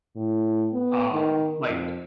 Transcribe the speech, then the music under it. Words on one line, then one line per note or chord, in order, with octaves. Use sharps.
Um, like
A2
B3
D#3
F2